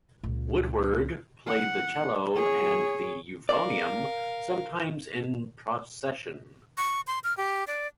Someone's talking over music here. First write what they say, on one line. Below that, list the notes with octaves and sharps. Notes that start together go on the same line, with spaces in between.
Woodward played the cello, and the euphonium, sometimes in procession.
C#2 A#2
F#5
G#4 C#5
A#4 D5 F5
C#6
C6
F6
G4
D5